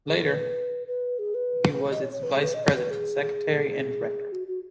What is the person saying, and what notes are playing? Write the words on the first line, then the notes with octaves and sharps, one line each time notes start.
Later, he was its vice-president, secretary and a director.
G#4
B4
B4
G#4
B4
B4
C#5
D#5
C#5
C#5
B4
G#4
B4
D#5
C#5
B4
G#4
G#4
F#4
F#4